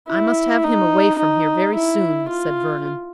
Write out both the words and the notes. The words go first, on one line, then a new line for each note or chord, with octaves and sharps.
"I must have him away from here very soon," said Vernon.
E4
D#4
D#4
E4
F4